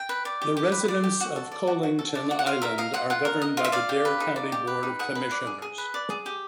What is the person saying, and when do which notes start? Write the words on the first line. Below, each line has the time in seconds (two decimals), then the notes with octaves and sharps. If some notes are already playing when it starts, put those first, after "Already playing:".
The residents of Colington Island are governed by the Dare County Board of Commissioners.
Already playing: G5
0.09 B4
0.25 D5
0.42 G4
0.57 G4
0.72 B4
0.88 D5
1.04 G4
1.20 F#4
1.36 A4
1.52 D5
1.67 F#4
1.83 F#4
1.99 A4
2.15 D5
2.31 F#4
2.39 F#5
2.46 F4 F5
2.62 A#4 E5
2.78 D#5 F5
2.94 F4 F#5
3.10 F4 F#5
3.25 A#4
3.42 D#5
3.57 F4
3.64 E5
3.72 D5 F5
3.89 G4
4.05 B4
4.20 D#4
4.36 D5
4.52 G4
4.67 B4
4.83 D#4
4.99 G#4 F#5
5.15 B4
5.31 D5
5.47 G#4
5.62 G#4
5.78 B4
5.94 D5
6.10 G#4
6.26 G4